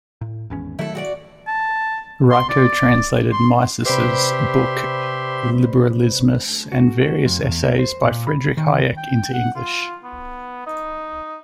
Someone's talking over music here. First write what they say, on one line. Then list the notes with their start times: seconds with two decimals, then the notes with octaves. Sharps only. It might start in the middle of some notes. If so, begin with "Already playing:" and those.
Raico translated Mises' book, "Liberalismus" and various essays by Friedrich Hayek into English.
0.21 A2
0.50 G#1 E2 C#4
0.79 D#3 F#3 A3 E4 A4
0.95 F#4 G4 D5
1.47 A5
2.31 C6
2.49 D5
3.32 C6
3.85 C3 G4 B4 C5 D5 E5 B5 C6
6.72 F#4
7.01 F#4
7.26 F2
7.43 E2
7.63 A#3
7.79 C5
8.04 A#2
8.27 B5
8.57 D#3
8.97 G5
9.33 F#5
9.56 F4
10.04 B3
10.66 D#4